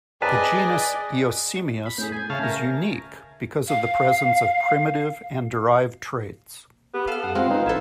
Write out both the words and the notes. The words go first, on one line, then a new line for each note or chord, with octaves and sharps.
The genus "Eosimias" is unique because of the presence of primitive and derived traits.
G#4 B4 D5 D#5 A5
B5
A2 G#4 G6
G#5
C#3 E5 F5 A5
A#4
F5
B3 G4
A4 F5 F6
F#2 F#5
G#3 C4 F4 F5
D#4 B4
A1 E4 A4